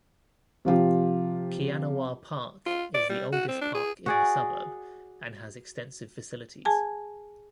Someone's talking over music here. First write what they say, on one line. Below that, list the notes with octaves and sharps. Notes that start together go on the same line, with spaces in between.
Kianawah Park is the oldest park in the suburb and has extensive facilities.
C3 F3 F4 G4
F4
D5
G3
F#4
C4
D4
G#4
F#4 G#4 D5
G#4 G#5 A5